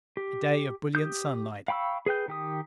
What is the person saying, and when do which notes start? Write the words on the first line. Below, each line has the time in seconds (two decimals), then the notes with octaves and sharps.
A day of brilliant sunlight.
0.17 G4
0.95 G4 D#6 G6
1.68 F5 G5 B5 C#6 E6
2.06 G#4 B4 G5 G6
2.28 D#3 G4 D#6